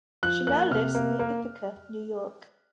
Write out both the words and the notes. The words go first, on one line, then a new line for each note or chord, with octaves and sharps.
She now lives near Ithaca, New York.
F3 F#6
A#3 F#6
C3 F6
A#3
A#3